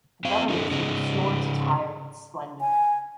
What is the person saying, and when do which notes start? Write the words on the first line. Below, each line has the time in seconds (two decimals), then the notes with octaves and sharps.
The government should restore to Tyre its splendor.
0.25 C4 F5
0.49 C#4 D#4 A4
0.71 C#3 C#4 D#4 G#4
2.61 G#5